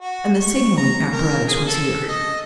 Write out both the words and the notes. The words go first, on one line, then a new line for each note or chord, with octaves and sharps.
And the signaling apparatus was here!
F#4
C#6
A#5
A#4
G#4
A4
D#5